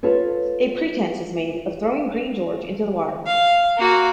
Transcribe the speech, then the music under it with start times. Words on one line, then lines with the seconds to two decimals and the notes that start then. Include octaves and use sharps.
A pretense is made of throwing Green George into the water.
0.03 F4 A4 B4 C#5
3.26 F5
3.78 A#3 F#4